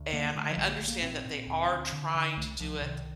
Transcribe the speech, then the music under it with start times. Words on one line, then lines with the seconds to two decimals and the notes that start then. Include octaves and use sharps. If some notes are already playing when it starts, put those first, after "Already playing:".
and I understand that they are trying to do it
Already playing: D2
0.13 D3 A#3
0.35 D3 A3
0.51 F3
0.57 A#1 G3
0.67 A#3
0.72 A3
0.81 A#1
0.88 A#3
1.02 A#2 C4
1.25 A#2
1.47 D2
1.70 D2
1.92 D3
2.15 D3
2.37 C2 A3
2.60 C2 F3
2.82 C3 D#3